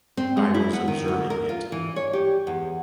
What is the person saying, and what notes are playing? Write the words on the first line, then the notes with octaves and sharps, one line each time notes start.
I was observing it.
C4
G#3
E4
B3
D#3
D2
A#4
F4
E3
C#5
G4
E2